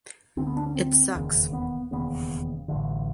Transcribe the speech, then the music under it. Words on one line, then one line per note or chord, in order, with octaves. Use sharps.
It sucks.
D2 D3 C4
B3
D4
C#4
C4
E1 D#2 C#3
B3
E1 D#2 C#3 B3
A1 G2 D3